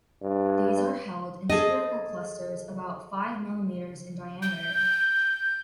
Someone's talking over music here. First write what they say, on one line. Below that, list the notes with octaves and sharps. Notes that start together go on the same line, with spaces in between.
These are held in spherical clusters about five millimetres in diameter.
G2
G#4 A4 D#5
G6